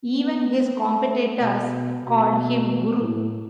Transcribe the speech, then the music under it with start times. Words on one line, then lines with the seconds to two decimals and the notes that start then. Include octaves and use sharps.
Even his competitors called him guru.
0.13 B3
0.77 A3
1.41 B2
2.04 B2
3.00 A2